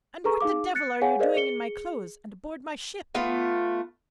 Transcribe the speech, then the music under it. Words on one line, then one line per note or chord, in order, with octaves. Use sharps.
"And what the devil are you doing in my clothes and aboard my ship?"
G#4 A4 B4 A#5 C#6
D#4 G#4 F5 D6
F#6 A6 C#7
G#4 C#5 F5 F#5 G#5
G#4 A#4 C5 D5 D#5 F5
G#4 C#7 G7
A3 B3 F4